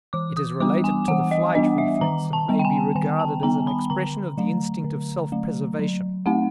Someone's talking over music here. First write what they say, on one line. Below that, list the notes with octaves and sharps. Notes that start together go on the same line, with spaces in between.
It is related to the flight reflex and may be regarded as an expression of the instinct of self-preservation.
E3 D6
D#6
G3 B3 D4 D6
G#5
E3 F#5
D#5
G3 B3 D4 D#5
E5
D#3 A#5
A5
G3 B3
G5
G#5
D#3 G#5
A5
G3 B3 A#5
B5
D3 A#5
F#3 A3
D3
F#3 A3
F#3
A3 C4 D#4 F#5